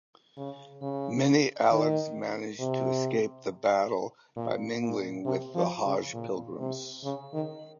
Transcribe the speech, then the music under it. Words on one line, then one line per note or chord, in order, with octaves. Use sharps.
Many Alids managed to escape the battle by mingling with the Hajj pilgrims.
C#3
C#3
D#3
C3
A#2
A#2
C3
F3
C#3
A#2
C3
C#3
D#3